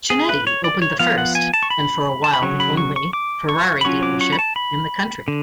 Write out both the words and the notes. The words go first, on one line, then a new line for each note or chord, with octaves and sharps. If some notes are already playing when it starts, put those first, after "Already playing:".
Chinetti opened the first-and for a while the only-Ferrari dealership in the country.
G#4
B4
C#5
D5
C#5
F3 B3 F4 F5
F#5
G#5
A5
C#6
B5
A5
B5
C#3 F#3 C#6
B5
C#6
C#6
D6
C#6
B5
F#3 C#4 F4 C#6
D6
C#6
B5
A5
B5
D3